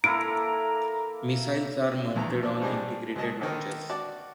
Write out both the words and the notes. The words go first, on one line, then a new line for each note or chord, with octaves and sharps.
Missiles are mounted on integrated launchers.
A#3 E4 A4 A#5 D7
A#1 E2 D3 A3 A#5
F3 D4
G#1 G3 C4 D4 G#4 D#5
C#2 F#3 D#5 A5
D3 D#3 D#5
F#4 D5 A5